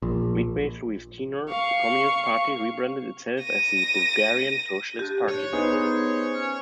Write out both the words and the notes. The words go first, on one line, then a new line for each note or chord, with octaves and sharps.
Midway through his tenure, the Communist Party rebranded itself as the Bulgarian Socialist Party.
A#1
F5 C#6
A#6 D#7
D4 G4
C#5
B3 D#4 G#4 C5
C#4